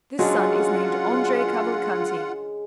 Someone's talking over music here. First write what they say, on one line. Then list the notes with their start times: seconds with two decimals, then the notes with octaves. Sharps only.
This son is named Andrea Cavalcanti.
0.19 C#3 F#3 G#3 D4 F4 F#5